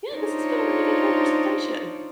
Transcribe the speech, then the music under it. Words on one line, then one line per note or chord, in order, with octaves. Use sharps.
yeah, this has been a really good conversation.
D4 D#4 F4 C5 C#5